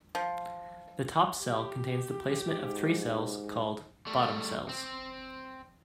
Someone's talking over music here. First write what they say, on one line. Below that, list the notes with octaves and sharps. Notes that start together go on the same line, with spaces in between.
The top cell contains the placement of three cells called "bottom cells".
F3
G4
G#2
G3 A3
C4